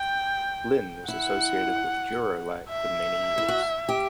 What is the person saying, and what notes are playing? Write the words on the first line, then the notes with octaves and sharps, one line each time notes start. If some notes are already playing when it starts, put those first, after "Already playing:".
Lynn was associated with Dur-O-Lite for many years.
Already playing: G5
E4 F#5
E5
E4
F#4
G4